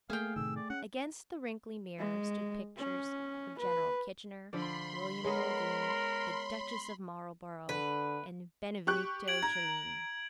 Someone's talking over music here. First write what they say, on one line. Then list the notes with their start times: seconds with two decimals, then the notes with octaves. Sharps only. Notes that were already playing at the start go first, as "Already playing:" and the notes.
Against the wrinkly mirror stood pictures of General Kitchener, William Muldoon, the Duchess of Marlborough, and Benvenuto Cellini.
0.10 A3 A#3 G#4 F5 G5
0.36 A2 C3 D#3 E6
0.56 D5
0.70 C#4 F#5
1.99 G#3
2.77 C#4
3.58 B4
4.53 D3 F3 D5 B5 C6
5.24 G#3 B3 A#4 C#5 D#5
7.69 D3 B4
8.87 G4 C#6 F#6
9.28 G#6 D7 F#7
9.43 A#5 G#6